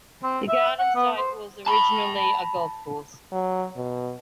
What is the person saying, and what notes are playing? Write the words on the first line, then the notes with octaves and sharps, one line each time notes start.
The Garden site was originally a golf course.
C4
E5
F#5
B3
C5
A5 B5
F#3
B2